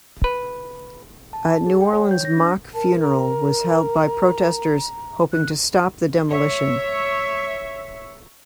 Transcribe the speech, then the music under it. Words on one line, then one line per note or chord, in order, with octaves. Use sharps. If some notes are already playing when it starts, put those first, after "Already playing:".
A New Orleans mock funeral was held by protesters hoping to stop the demolition.
B4
A5
G#4
G5
C#5
G6
A#6
D4
A#4 A5
A#5
D#3 F#6
C#5 E5